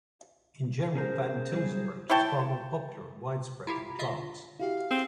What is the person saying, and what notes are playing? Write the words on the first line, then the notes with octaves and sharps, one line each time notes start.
In general, Van Til's approach is far more popular and widespread than Clark's.
C#4 G#4 A#4 C5
F#3 G3 G#4
E4 C#5 G5 A5
E4 F4 G4 A#5 B5
F4 D#5 E5
D3
E4 F#4 G4 F5
C4 G#4